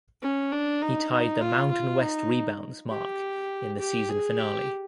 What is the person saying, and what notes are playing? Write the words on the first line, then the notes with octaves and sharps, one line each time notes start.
He tied the Mountain West rebounds mark in the season finale.
C#4
D4
D#4
D#4
F4
F4
D#4
G4
G4
G#4
G4